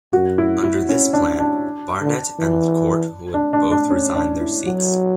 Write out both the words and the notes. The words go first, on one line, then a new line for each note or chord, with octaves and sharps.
Under this plan, Barnett and Court would both resign their seats.
F#2 F#4
E4
E4
C#4
D4
D4
D3
E3
D4
D4
D4
C#4
D4
E4
F#3 F#4